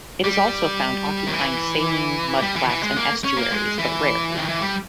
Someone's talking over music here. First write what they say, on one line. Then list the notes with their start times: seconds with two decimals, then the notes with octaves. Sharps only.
It is also found occupying saline mudflats and estuaries, but rarely.
0.24 G3
1.27 D#3
1.33 E3
2.42 G3
2.56 E3
2.69 E3
2.83 G#3
2.96 A#3
3.24 C#4
3.38 A#3
3.51 G#3
3.79 E3
4.36 D#3
4.49 E3
4.61 G3